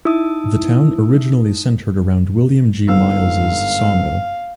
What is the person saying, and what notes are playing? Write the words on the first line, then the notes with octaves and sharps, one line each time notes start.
The town originally centered around William G. Miles's Sawmill.
D#4 E4 D#6
G1 G#2 F5 E6